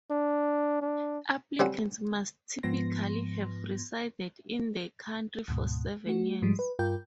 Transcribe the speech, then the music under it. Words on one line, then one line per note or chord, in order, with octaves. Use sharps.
Applicants must typically have resided in the country for seven years.
D4
D4
G3 C4 C#4 F#4
G#2 F3 B3 C6 A#6
D2 G#2 B2
A3 F#4
G#2 F3 G3 G#3
B4
G2 F4 A#4 G5 G6